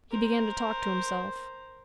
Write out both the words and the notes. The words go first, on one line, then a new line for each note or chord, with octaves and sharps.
He began to talk to himself.
A#4 C5